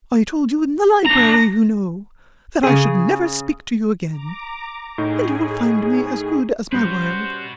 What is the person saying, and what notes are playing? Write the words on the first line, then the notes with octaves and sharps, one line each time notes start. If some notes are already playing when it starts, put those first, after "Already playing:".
I told you in the library, you know, that I should never speak to you again, and you will find me as good as my word.
D4 A#5 A#6
C#3 G#4
A#5 D6
A2 D#4 G#4
G3 C#4 F#4 B4 C5